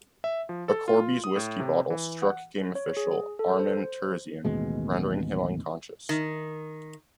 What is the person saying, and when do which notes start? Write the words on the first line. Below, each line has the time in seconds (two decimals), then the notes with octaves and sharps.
A Corby's Whiskey bottle struck game official, Armen Terzian, rendering him unconscious.
0.24 E5
0.49 F3
0.68 A4
0.88 F4
1.24 D#6
1.36 A2
1.60 C3
1.90 E3
2.22 F#5
2.75 C#5
2.97 G#4
3.39 A4
3.59 C5
4.45 A1 D#2 B2 G#3
6.09 D#3